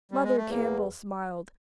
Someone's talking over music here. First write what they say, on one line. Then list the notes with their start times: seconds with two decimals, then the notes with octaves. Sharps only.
Mother Campbell smiled.
0.11 G3
0.24 G#3
0.37 A3
0.50 E2 A#3